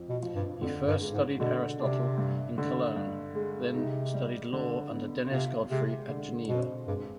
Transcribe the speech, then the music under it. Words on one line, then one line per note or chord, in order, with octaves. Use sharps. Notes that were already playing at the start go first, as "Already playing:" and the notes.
He first studied Aristotle in Cologne, then studied law under Denis Godefroy at Geneva.
Already playing: F2
B2
F3
G2
F2 D3
G2
G#3
G#2
B2 D3
C3 D4
G2
D3
G2
G#3
C3 D#4
G3
D3
B3
C3 F4
C3 G#3
D3
B2 C4
G2 G#3